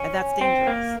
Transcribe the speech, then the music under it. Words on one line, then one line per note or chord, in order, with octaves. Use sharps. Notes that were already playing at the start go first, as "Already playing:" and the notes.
And that's dangerous.
Already playing: C#4
C4
A#3